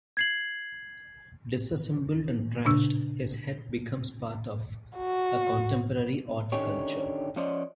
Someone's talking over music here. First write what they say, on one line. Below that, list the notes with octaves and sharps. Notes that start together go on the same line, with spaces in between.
Disassembled and trashed, his head becomes part of a contemporary art sculpture.
G#6 C7 F#7
A#2 C#3 D4 E6
F#4
D3 D#3 C#4 D#4 G4 C#5
F3 C#4 C5 D5 D#5